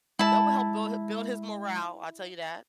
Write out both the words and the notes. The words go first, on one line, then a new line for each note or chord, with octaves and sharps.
That will help build build his morale, I'll tell you that.
G#3 E4 A5